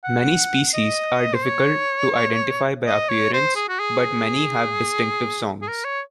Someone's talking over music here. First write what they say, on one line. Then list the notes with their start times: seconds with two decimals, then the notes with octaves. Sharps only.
Many species are difficult to identify by appearance, but many have distinctive songs.
0.04 F#5
0.74 D#5
1.34 C5
1.45 C#5
2.86 D#5
3.09 C#5
3.33 C5
3.56 G#4
3.68 F#4
3.79 G#4
5.61 G#4
5.68 A#4
5.85 C#5